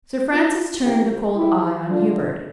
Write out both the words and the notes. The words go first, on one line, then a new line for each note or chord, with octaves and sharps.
Sir Francis turned a cold eye on Hubert.
D4 F4
C3 F3 A3 E4 G4
E4 G4
D3 A3 D4 F4